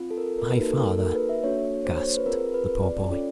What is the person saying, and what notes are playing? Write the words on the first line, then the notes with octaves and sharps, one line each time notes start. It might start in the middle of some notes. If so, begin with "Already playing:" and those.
"My father," gasped the poor boy.
Already playing: C4 F4
A4
A#4
A4
A#4
B4
A#3 D#4 F#4 A4 A#4
A4
A#4
A4
A#4
B4
E5
A#3 D4 F#4 A4 C#5
C5
C#5
C5
B4
C4 F4 G#4 A#4
A#4
B4
D5
D5
C#4 F4 A4 C#5